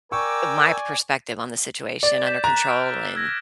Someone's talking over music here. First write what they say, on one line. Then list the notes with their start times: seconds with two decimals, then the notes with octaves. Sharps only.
My perspective on the situation under control and
0.12 A#4 D5 G5 G#5 C#6 D6 E6
2.03 D5 D6 A6
2.26 G6 B6 E7
2.44 A#5 F#6
2.68 E6 F6 D7
3.15 E6 G#6 A#6